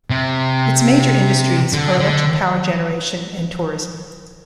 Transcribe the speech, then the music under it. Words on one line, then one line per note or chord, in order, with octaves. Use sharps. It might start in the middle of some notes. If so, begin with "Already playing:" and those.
Its major industries are electric power generation and tourism.
C3
D3
D3